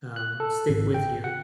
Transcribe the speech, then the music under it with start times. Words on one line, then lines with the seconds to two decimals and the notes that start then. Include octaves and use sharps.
um, stick with you,
0.16 F#6
0.40 A4
0.69 G#1
0.94 G5
1.24 F#5